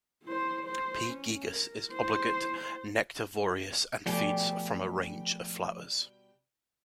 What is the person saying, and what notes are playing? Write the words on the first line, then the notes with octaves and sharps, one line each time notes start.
"P. gigas" is obligate nectarvorious and feeds from a range of flowers.
E4 C5
C5
C#4
A#4
E4 C5
B2 F3 G3 A3 G5 G#5